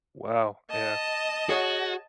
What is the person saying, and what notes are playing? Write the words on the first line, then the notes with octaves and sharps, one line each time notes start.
Well, yeah,
D#5 A5
F#4 G#4 C#5 F#5